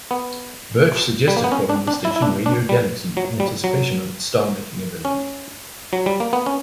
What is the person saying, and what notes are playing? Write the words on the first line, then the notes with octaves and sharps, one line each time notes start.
Birch suggested calling the station Radio Galaxy, in anticipation of its star-making ability.
B3
G3
A#3
B3
C#4
D4
D4
E4
E4
D4
D4
G3
F#3
G3
F#3
C#4
F#3
G3
A#3
B3
C#4